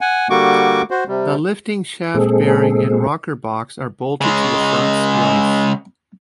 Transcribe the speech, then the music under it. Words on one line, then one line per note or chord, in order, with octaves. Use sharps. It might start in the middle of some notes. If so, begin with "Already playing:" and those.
The lifting-shaft bearing and rocker-box are bolted to the front splice.
F#5 G#5
D3 G3 A#3 F#4 C#6 D6
F#4 C5
C3 G3
A#2 G#3 C4 G#4 A4
C#3 G#3